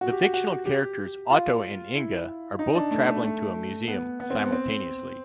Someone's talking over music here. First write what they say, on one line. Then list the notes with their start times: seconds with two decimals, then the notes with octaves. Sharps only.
The fictional characters Otto and Inga are both travelling to a museum simultaneously.
0.01 F#4
0.12 G4
0.22 F#4
0.34 F#4
0.66 G4
1.30 F4
1.95 E4
2.59 D#4
2.75 D4
2.91 A3
3.07 A3
3.24 A3
3.88 B3
4.20 B3
4.30 C4
4.42 B3
4.52 C4